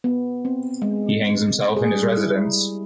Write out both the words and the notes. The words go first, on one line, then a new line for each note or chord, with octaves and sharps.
He hangs himself in his residence.
B3
C4
G#3
G#4
G3
E4